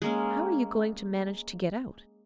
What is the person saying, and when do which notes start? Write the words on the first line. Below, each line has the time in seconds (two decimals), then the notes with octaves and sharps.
"How are you going to manage to get out?"
0.02 G#3 A#3 C#4